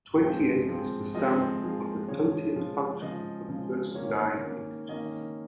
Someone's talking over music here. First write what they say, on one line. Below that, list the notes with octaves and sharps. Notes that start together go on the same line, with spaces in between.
Twenty-eight is the sum of the totient function for the first nine integers.
F3 G#3 C4 G5
F3 G#3 C4
F3 G#3 C4 D#5
F3 G#3 C4
C#3 F3 G#3 C#5
C#3 F3 G#3
C#3 F3 G#3 D#5
C#3 F3 G#3
D#3 A#3 C#4 C#5
D#3 A#3 C#4
D#3 A#3 C#4 D#5